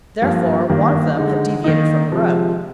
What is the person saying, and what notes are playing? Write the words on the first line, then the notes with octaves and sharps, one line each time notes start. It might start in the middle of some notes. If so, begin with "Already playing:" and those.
Therefore, one of them had deviated from the road.
G2 F3 A#3 F4
G2 D#3 A#3
D3 G#3 D#4
D#3 A#3 D#4
C3 F3 G#3